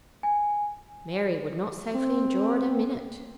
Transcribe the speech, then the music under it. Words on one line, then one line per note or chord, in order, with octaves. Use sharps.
Mary would not safely endure it a minute.
G#5
C4